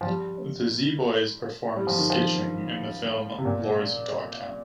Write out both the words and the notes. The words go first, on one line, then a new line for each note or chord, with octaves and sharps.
The Z Boys perform skitching in the film "Lords of Dogtown".
F3
G3
G3
F3
D#3
F3
C3
A#2